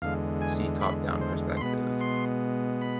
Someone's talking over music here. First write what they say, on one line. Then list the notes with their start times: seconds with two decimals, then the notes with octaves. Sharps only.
See top-down perspective.
0.02 E2 D3 G#3 F5
0.42 G#5
0.81 B5
1.21 C5
1.57 C6
1.61 B2 G#3 B3 B5
2.01 C6
2.81 B5